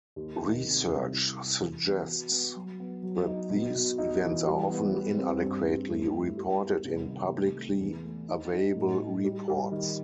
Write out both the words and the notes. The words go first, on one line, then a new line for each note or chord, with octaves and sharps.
Research suggests that these events are often inadequately reported in publicly available reports.
D#2
D#3
C3
C2
E4
E4
E3
B3
F#4
B3
F#3
B3
F#3
D#4
B2
B2
D#4
E3
G3
B3
G3
C4
G2
G2
A3
E4
G3
B3
C2
D#3
A3
A3
E2
A3
D#4
D#4
A2
D#4
G3
G3
D#3